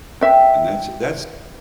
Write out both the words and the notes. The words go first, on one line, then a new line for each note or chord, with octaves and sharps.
And that's that's
E5 G5